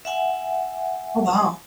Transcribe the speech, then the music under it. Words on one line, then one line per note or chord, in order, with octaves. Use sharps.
Oh, wow.
E5 F#5 G#5